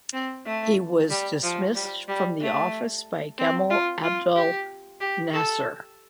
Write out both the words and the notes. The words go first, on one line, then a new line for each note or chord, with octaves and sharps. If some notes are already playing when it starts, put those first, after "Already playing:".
He was dismissed from the office by Gamal Abdel Nasser.
C4
A3
G3
F3
G3
G3
A3
C4
F4
F4
G4
G4
A4